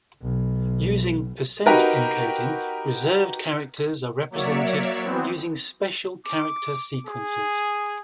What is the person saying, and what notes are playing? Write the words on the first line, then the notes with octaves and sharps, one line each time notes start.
Using percent-encoding, reserved characters are represented using special character sequences.
B1
D#4 F#4 G4 A#4 B4
F#3 A#3 C#5 D5 E5
E3 F#3 B3 C4
D6
G#4